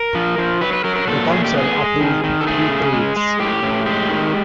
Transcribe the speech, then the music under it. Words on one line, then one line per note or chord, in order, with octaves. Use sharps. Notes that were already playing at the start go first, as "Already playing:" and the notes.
The council approved three creeds.
Already playing: A#4
F3
F3
F#3 B4
B4
F#3 A#4
A#4
A#2 A4
A3 G#4
G4
B3 G#4
G#3
D#3
D#3
A4
A3 G#4
C#3
G#3
G#3
A2 G4
A2
G#3 G4
D#3